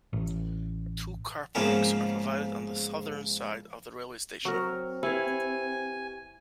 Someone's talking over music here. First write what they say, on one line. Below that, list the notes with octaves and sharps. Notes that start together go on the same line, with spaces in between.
Two car parks are provided on the southern side of the railway station.
A1
G#2 C#3 F3 A#3 B3 C#4
F#3 C4 A#4
E4 G4 B4 G#5